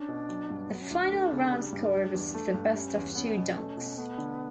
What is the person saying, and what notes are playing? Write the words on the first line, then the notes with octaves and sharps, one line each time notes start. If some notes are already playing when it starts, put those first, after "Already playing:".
The final round score was the best of two dunks.
Already playing: C#4 D4
B2
F#3
G2
F#3 B3
C#4
D2 D4
D4
A3
C#3
G3
G2
G3 D4
E2
A3
G2
G3 C#4
E2
B3 C#4
B2
A3
B2
A3 B3
D3